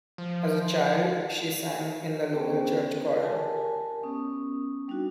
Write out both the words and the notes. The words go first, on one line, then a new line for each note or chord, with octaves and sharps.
As a child, she sang in the local church choir.
F3
B3 C#4 D4 G#4 C5 G5
G4 A#4 G#5 A5
B3 C#4 D#6
G3 D4 D#4 F#4